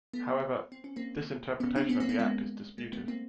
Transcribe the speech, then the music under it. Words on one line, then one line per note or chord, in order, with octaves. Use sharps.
However, this interpretation of the Act is disputed.
A3 B3
C4
C#4
A#3 C4
B3 C#4
C4 D4
B3 C#4
A#3 C4
B3 C#4
G#3 A#3
G#3 A#3
A3 B3
A#3 C4